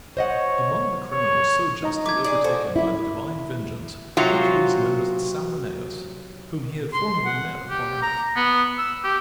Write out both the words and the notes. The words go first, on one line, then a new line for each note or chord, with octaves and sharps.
Among the criminals so justly overtaken by the divine vengeance Hercules noticed Salmoneus, whom he had formerly met upon earth.
C5 C#5 D#5 F#5
C#5
D#4 D#5 A#5
A3 D6 G#6
G#4 D5
F#4 A4 C5
E4 E5
C3 F#3 F4 F#4
C6
F#5
G4
A#5
B3
E6
G4